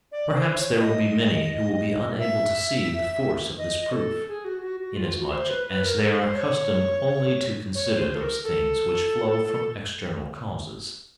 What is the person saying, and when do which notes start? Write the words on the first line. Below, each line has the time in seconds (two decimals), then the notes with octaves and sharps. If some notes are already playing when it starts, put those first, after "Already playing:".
Perhaps there will be many who will be unable to see the force of this proof, inasmuch as they are accustomed only to consider those things which flow from external causes.
0.12 D5
0.34 C5
0.58 C#5
0.80 D#5
2.19 E5
3.58 D#5
3.92 A4
4.28 G#4
4.45 F#4
4.62 F#4
4.80 F#4
4.96 F4
5.14 F#4
5.31 C5
5.49 B4
5.66 B4
5.84 A#4
6.00 A4
6.19 C5
6.35 C#5
7.75 C#5
7.97 C5
8.15 A4
8.21 A#4
8.43 A4